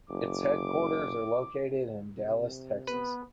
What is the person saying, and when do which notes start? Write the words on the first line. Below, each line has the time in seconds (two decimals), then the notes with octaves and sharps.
Its headquarters are located in Dallas, Texas.
0.10 F#1 D6
2.18 C3
2.87 B3 B4